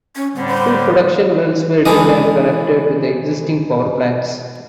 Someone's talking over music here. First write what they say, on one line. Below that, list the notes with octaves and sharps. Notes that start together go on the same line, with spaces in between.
Two production wells were drilled and connected to the existing power plants.
C#4
A2 D3 G3 C4
C5
D3 E3 G#3 D#5